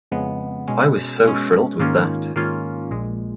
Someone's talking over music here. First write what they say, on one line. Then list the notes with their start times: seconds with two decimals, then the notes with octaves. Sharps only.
I was so thrilled with that.
0.11 F2 C#3 G#3 B3
0.68 B2 G#3 C#4
1.23 B2 G#3 C#4
1.79 G#2 D#3 A#3 C#4 F4
2.36 G#2 D#3 A#3 C#4 F4
2.91 A#1 A#2 G#3